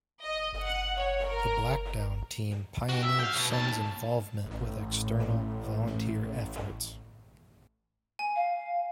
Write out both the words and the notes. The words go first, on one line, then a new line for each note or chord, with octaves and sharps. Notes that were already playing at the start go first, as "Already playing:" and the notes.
The Blackdown team pioneered Sun's involvement with external, volunteer efforts.
D#5
F#5
C#5
A#4
F#4 G4
E5
F5 G5
B2
D#2 A5
A1 A2
G#5
F5